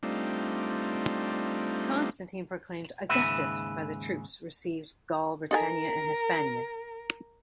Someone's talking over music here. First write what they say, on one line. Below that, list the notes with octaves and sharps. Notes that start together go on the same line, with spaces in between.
Constantine, proclaimed "Augustus" by the troops received Gaul, Britannia and Hispania.
G3 A3 C4 D4 D#4 F4
D#2 G#2 C#3 B4 E5
D#4 A4 A#4 G#5